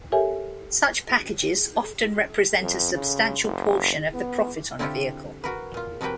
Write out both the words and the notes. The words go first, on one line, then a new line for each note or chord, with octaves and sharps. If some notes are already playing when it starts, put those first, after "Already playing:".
Such packages often represent a substantial portion of the profit on a vehicle.
G4 A4 A#4 C#5 E5 G#5
F2
C#3
F#1
B3
D3 C4 E4 F4 G4 A4
F#4 A#4 B4
A#2 F4
C3 F3 A#3 F#4 B4 G5